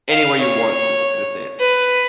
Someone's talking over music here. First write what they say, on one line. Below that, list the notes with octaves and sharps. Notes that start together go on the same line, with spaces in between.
anywhere you want to, in a sense.
F5
C#5
B4